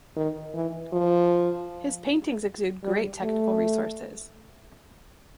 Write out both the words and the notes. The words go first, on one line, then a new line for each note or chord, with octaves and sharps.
His paintings exude great technical resources.
D#3
E3
F3
G3
A3